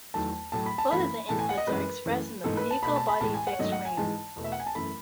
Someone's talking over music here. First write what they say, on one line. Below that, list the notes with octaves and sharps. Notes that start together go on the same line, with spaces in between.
Both of the inputs are expressed in the vehicle-body-fixed frame.
E2 D#3 F#3 A3 A5
A2 F#3 A3 A5
B5
A5
F#2 E3 A3 B5
A2 E3 A3 A5
G#5
F#5
D#5
F#2 E3 G#3 B4
F#2 E3 A3
G#2 E3 A3 A4
B4
A5
B2 A3 B5
A5
B5
A2 E3 G#3 A5
G#5
F#5
C#5
G#2 D#3 F#3 A3 D#5
F#5
G#5
G#2 E3 G#3 A5
E2 B2 A3
E5
F#5
G#5
A5
F#2 E3 A3 B5